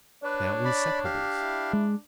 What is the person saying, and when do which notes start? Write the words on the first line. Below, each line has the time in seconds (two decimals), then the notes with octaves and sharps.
They are inseparables.
0.24 D4 B4 C#5
0.65 D5 B5
1.05 G4 F5
1.40 E4
1.73 G#3